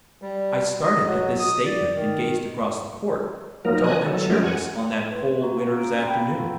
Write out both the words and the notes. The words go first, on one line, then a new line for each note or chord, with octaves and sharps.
I started at this statement, and gazed across the court--dull and cheerless on that cold winter's afternoon.
G3
D#5
F#3
D#6
D5
D#3
F3 F#3 A#3 D#4 A#4
D#5 G#5 F#6
F#3 A4
F3 G#3 A3 C#4 G4 A#4
F#5 G#5
B4 C6
F#4 G4 A#5
F5 A#5
C#4 D7
F5 G5 A#5 B5 G6
B3 F4